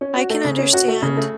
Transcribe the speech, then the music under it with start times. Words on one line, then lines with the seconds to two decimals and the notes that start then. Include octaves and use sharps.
I can understand.
0.01 C#4
0.16 F#4
0.30 A3
0.44 C#3
0.58 C#4
0.73 F#4
0.88 A3
1.02 C#3
1.17 A3